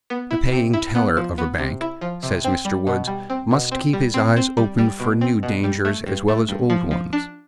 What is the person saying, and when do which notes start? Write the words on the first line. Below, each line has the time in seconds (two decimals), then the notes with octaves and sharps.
The paying teller of a bank, says Mr. Woods, must keep his eyes open for new dangers as well as old ones.
0.10 B3
0.31 E4
0.52 C3
0.73 E4
0.95 B3
1.17 F3
1.38 B3
1.58 C3
1.81 E4
2.01 F3
2.23 C3
2.44 C4
2.65 G3
2.87 B2
3.08 G3
3.30 C4
3.51 B2
3.72 C4
3.93 G3
4.14 C4
4.36 C4
4.57 G3
4.78 G3
5.00 B2
5.21 C4
5.43 B2
5.64 G3
5.85 A3
6.06 G2
6.28 A3
6.49 G2
6.70 F3
6.91 F3
7.13 D4